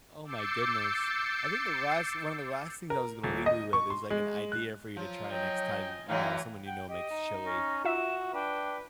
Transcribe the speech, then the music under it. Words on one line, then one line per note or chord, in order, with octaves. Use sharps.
Oh my goodness. I think the last one of the last things I was gonna leave you with is, like, an idea for you to try next time, you know, someone you know makes chili,
D6 E6 G6 A6 C7 C#7
A#4
D#1
D#5
C#6
C6
G#3
F#6
F3 F#3
F#3 D#5 G5 G#5
A2 E3 F#3 D#4 C#5 F5
F#5 G5
G4 D#5
D#4
C#4 A#6
F4 F#4 E5 E7
D4 B4 G5